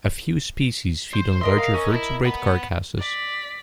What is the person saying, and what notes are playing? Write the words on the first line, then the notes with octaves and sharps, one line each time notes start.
A few species feed on larger vertebrate carcasses.
C5
A#4 D#5 E5 C6
F5
C#4
E4
F#5 B5
D5 B6